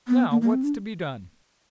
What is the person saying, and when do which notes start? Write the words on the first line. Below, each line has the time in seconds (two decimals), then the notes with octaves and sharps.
"Now, what's to be done?"
0.08 B3
0.31 A#3
0.41 A#3
0.53 C4
0.64 D4